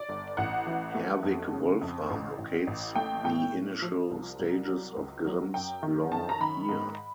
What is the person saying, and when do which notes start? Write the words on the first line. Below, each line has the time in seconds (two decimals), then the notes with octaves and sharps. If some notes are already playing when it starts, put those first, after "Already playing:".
Herwig Wolfram locates the initial stages of Grimm's Law here.
Already playing: D5
0.09 G1
0.37 A1 F#5
0.67 E3
0.95 A3
1.23 F2
1.53 C#3
1.81 F2
2.10 A1
2.38 A1
2.67 A1
2.95 A3 G5
3.24 A2 G5
3.53 A2
3.82 F3
4.11 C2
4.39 C2
4.67 F#3
4.96 C#2
5.26 F#3
5.54 F#2 G5
5.83 D#3
6.12 F#2 A5
6.29 A#5
6.40 D#3 B5
6.69 G#2